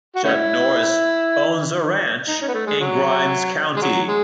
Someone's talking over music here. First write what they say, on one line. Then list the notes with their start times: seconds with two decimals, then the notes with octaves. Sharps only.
Chuck Norris owns a ranch in Grimes County.
0.15 F#4
0.24 A3 C#4 E4
2.28 D#4
2.41 C#4
2.48 B3
2.54 A3
2.67 G#3
2.80 F#3
3.77 G#3
3.82 F#3
4.08 G#3